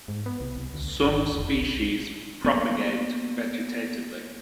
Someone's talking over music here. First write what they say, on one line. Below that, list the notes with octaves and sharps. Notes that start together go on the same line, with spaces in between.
Some species propagate vegetatively.
G#2
B3
C2
C2
D2
G#1
D2
F1
B1
A#3 B3